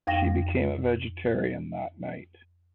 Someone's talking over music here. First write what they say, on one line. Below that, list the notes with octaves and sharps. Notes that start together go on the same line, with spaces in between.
She became a vegetarian that night.
F2 F5 G5 A#6